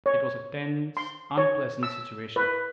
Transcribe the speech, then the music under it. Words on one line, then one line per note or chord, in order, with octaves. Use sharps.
It was a tense, unpleasant situation.
C#5
C6
C#5
E6
B4